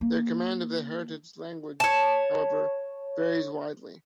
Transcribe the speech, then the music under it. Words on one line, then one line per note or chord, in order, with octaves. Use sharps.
Their command of the heritage language, however, varies widely.
A#3
C#5 A5